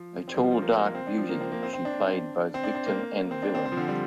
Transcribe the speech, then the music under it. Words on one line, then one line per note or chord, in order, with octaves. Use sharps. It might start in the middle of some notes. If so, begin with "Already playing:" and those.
A tall, dark beauty, she played both victim and villain.
Already playing: F3
C4
G3
F3
F3
A#3
A#3
C4
D4
F3
A#3
C4
A#3
C4
C4
D4
D4
C4
D4
C4
A#3
C4
D4
C4
C4
F3
D3
G3